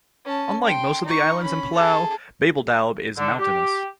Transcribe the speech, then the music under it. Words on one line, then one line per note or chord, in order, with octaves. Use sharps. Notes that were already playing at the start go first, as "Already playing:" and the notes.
Unlike most of the islands of Palau, Babeldaob is mountainous.
C#4 A5
G5 C6
D#4 C#6
C#4 B5
G#4 A4
D3
G4